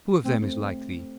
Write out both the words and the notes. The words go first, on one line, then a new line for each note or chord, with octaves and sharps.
Who of them is like thee?
A3 C4
C4